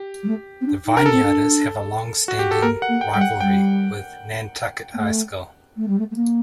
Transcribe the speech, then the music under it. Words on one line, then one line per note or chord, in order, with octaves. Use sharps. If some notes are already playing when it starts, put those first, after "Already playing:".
The Vineyarders have a long-standing rivalry with Nantucket High School.
Already playing: G4
G3
A3
C4
D4
D#4
D4 A#4
A4
C4
D4
F#4
G4
A4
A#3 A#4
F#5
A#3
G5
G3 G5
F#5
G3 G5
A#3
A3
A3
G3
A3
A3
A#3